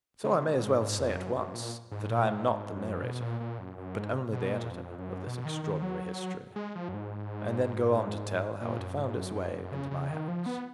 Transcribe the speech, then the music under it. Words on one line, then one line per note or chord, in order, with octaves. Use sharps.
And so I may as well say at once that I am not the narrator but only the editor of this extraordinary history, and then go on to tell how it found its way into my hands.
C#3
B2
G#2
G#2
F2
F#2
F#2
A#2
G#2
A#2
G#2
G#2
F#2
B2
A#2
A#2
F#2
F#2
G#2
B2
A#2
F2
F#2
B2
D#3
D#3
F#3
G#3
F3
F#2
G#2
A#2
F#2
G#2
F#2
F#2
F#2
C#3
C#3
D#3
F3
B3